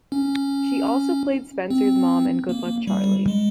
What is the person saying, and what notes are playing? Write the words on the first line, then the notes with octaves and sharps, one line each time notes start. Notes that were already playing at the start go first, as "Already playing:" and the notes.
She also played Spencer's mom in "Good Luck Charlie".
C#4
C4
A#3
G3
G#3